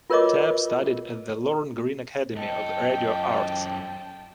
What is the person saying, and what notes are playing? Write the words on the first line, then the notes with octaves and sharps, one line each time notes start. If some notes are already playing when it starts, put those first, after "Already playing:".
Tapp studied at the Lorne Greene Academy of Radio Arts.
F4 A#4 B4 C#5 D#5 D6
F#2 A4 D#5 G5 A5